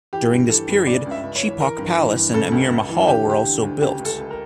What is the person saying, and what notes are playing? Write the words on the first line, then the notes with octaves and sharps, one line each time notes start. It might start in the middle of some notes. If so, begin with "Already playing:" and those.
During this period, Chepauk Palace and Amir Mahal were also built.
E3 G4
G2
E3 A4
G2
C#3 D5
C#2
E5
C#2
C#5
E3
E3 A#4
G2
E3
G2
C#3 A4
C#2
C#2
E3
D3 G4
D2 G4
D3
D2
C#3 G4
C#2
A4
C#2
A#4